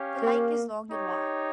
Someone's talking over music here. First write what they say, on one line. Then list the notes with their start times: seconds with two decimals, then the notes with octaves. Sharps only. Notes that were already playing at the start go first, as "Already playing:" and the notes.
The lake is long and wide.
Already playing: C#4 G4 C#5 F5
0.23 A#3
0.91 D#4 G4 C#5